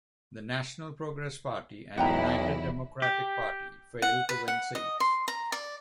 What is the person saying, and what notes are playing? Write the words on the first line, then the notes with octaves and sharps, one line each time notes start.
The National Progress Party and United Democratic Party failed to win seats.
B1 E2 E4 F#5 G5 A#5
G4
F#5
B4
F#5
D#5
C6
A#5
D5